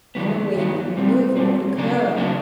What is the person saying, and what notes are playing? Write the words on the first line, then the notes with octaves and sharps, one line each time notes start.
In a week the removal would occur.
G2 D#3 F#3 B3
G2 D#3 F#3 B3
B2 G3 C4
B2 G3 C4
C#3 F#3 A#3 D4
C#3 F#3 A#3 D4